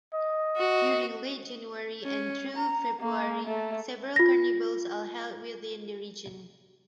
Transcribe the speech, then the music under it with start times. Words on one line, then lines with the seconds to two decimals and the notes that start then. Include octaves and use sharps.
During Late January and through February, several carnivals are held within the region.
0.14 D#5
0.57 F#4
2.04 C#4
2.56 A#5
3.00 A#3
3.46 A3
4.16 F4 A#6